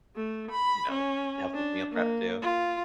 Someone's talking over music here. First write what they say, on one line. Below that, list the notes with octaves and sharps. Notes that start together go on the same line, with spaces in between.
you know, helps with meal prep, too.
A3
B5
C#4
D4
A#3
F4